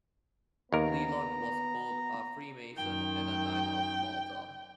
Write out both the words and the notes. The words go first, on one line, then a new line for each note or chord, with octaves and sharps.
Leluk was both a freemason and a Knight of Malta.
D#2 B3 A#4 A#5
F#2 D#3 G5